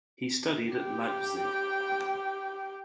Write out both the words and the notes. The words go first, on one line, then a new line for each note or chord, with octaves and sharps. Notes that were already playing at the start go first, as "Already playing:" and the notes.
He studied at Leipzig.
G4 G5